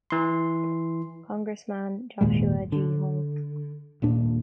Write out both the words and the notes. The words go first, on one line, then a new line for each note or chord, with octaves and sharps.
Congressman Joshua G. Hall.
E3 C6
G#1 D#2 A#2 G#3
D3
D#1 A#2 D4